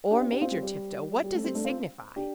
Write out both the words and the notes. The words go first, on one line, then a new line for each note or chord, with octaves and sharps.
"Or Major Tifto;--what does it signify?"
D4 G4
C4 F4
D4 G4
C4 F4
G3 C4
G3
G3
A3
G3 C4
A3 D4
C4 F4
D4 G4